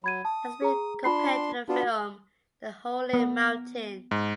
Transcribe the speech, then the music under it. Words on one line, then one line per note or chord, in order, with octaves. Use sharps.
It has been compared to the film "The Holy Mountain".
F#3 B5 G#6 D#7
A5 D#6
G#4 A#5
D4 F4 B5 C6 C7
B3 D4 F4 F#4
B3
G#2